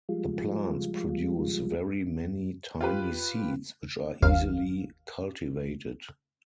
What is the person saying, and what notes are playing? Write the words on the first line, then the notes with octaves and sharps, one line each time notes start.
The plants produce very many tiny seeds which are easily cultivated.
F3 G3 G#3 F4
F4 G4 B4
G1 D#2 F5